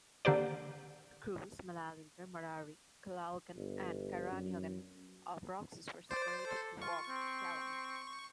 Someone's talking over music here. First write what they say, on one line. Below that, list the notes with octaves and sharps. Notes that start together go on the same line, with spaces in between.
Cruz, Malalinta, Mararigue, Calaocan, and Caraniogan of Roxas were separated to form Callang.
D3 A#3 G4 C5 D5
G1
F#2
C5 D5
A4
F4 C#6
C4